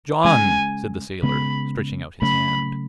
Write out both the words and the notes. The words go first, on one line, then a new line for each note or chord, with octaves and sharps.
"John!" said the sailor, stretching out his hand.
C#3 G#3 C#4 G#5
C#3 G#3 B3 B5
C#3 F#3 A3 C#4 B5